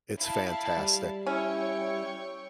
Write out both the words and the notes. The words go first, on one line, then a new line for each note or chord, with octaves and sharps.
It's fantastic.
E4 F5 A5
G3
C#4 E4 C#5 G5 C#6